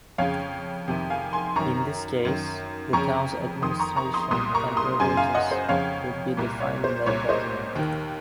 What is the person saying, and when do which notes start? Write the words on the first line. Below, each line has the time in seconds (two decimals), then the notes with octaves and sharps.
In this case, the town's administration and privileges would be defined in that document.
0.18 F2 C#3 C#5 F5
0.88 F2 C3 D#3
1.10 F5 G#5
1.33 G#5 C6
1.56 F#2 D#3 A#5 C#6
2.25 F#2 D#3
2.93 F2 C#3 A#5 C#6
3.62 F2 D#3 C6 D#6
3.80 A#5 C#6
3.96 A#5 C#6
4.14 C6 D#6
4.31 C2 A#2 C6 D#6
4.54 A#5 C#6
4.77 C6 D#6
5.00 F#2 C#3 G#5 C6
5.17 F5 G#5
5.34 D#5 F#5
5.52 C5
5.69 F2 C#3 C#5 F5
6.37 C2 A#2
6.60 C#5
6.84 C5
7.06 C2 A#2 C#5
7.29 C5 D#5
7.75 D#2 D#3